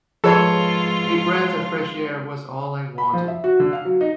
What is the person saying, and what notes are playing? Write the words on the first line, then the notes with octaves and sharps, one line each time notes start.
A breath of fresh air was all I wanted.
G#2 F3 F4 G#4 A4 B4 C#5
B5
F3
E5
F#4
D3
F5
F#3
D#4